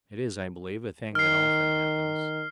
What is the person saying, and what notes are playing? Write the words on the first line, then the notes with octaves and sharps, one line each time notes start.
It is, I believe, a thing that often happens.
D#3 F6 C7